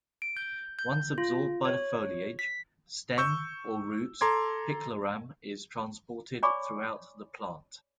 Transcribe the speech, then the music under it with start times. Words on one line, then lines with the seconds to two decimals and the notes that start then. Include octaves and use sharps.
Once absorbed by the foliage, stem, or roots, picloram is transported throughout the plant.
0.22 D7
0.37 G6
0.79 G6
1.18 F4
1.65 C#5
2.39 B6
3.18 C#6 E6 G6
4.21 A4 A#5 C6 D6 G#6
6.43 C#5 D5 G#5 B5 C#6 D6